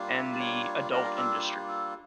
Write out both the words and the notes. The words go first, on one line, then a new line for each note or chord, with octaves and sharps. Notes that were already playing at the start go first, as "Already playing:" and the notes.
and the adult industry,
Already playing: G3 A#3 D4 F4
E5
D5
C#5
G3 A#3 D4 F4 A#4
A4
G4
A4